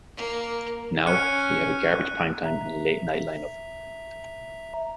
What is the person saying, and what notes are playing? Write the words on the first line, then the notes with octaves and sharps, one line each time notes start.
Now, we have a garbage primetime and late-night lineup.
A#3
C#4 F#6 C#7 D#7
E5 A#5